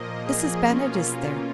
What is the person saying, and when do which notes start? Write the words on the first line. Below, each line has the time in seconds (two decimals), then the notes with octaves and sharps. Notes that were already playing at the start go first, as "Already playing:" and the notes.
Mrs. Bennett is there.
Already playing: A#2 F3 A#3 D#5
0.24 G#4
0.64 B2 A#3 C#4 F4
1.04 F4